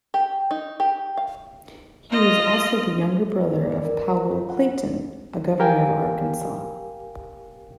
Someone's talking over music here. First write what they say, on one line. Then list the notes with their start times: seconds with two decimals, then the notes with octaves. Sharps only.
He was also the younger brother of Powell Clayton, a Governor of Arkansas.
0.14 G4
0.51 D#4
0.80 G4
1.17 F5
2.10 F4 D#5
3.41 B4
3.62 D5
3.85 A#4
4.14 A#5
4.31 F4
4.50 F#5
5.60 G4 A#4 F5 G5 G#5